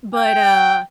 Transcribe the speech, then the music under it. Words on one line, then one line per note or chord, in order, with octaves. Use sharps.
But, uh
G5